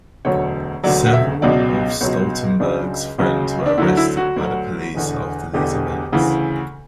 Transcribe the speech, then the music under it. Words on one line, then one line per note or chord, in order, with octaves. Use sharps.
Several of Stoltenberg's friends were arrested by the police after these events.
E1 D2 D3 F#3 C#5
E1 D2 D3 F#3 D5
F#5
E5
C#2 B2 F#3 D5
C#2 B2 F#3 C#5
C#2 C#3 F#3 D4
C#2 C#3 F#3
D4
D2 D3 F#3 E4
E4
F#4
D2 D3 F#3
E1 E2 D3
E1 E2 D3 G4
D2 C#3 E3